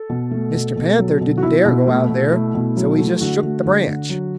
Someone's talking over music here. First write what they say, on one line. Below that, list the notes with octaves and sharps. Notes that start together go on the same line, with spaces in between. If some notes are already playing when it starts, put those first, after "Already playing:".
Mr. Panther didn't dare go out there, so he just shook the branch.
Already playing: A4
B2
A3
B2
B2
F#3
B2
F#4
B2 E4
B2
A3
B2
A3
B2
F#3
A3
D3 F#4
A3
D3
D3
F#3